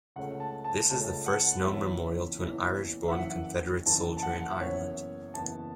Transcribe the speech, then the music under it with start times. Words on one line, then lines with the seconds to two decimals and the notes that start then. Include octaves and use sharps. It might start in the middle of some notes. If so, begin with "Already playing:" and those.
This is the first known memorial to an Irish-born Confederate soldier in Ireland.
0.16 C#2 C#3 A3 C#4 F#5
0.40 A5
0.64 A5
0.89 C#2 C#3 A3 C#4 A5
1.05 A5
1.26 F#5
1.63 F#1 E2 E3 C#4 E5
2.39 F#1 E2 E3 C#4
3.08 E5
3.11 F#1 F#2 E3 F#5
3.86 F#1 F#2 E3 A5
4.17 A5
4.23 F#5
4.44 F#5
4.52 E5
4.60 F#1 F#2 E3 B3 C#5
5.34 F#1 F#2 E3 B3 A5